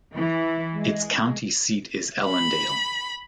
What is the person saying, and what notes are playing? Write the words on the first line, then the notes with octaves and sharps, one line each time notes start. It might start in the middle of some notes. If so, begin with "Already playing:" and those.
Its county seat is Ellendale.
E3
G#3
B5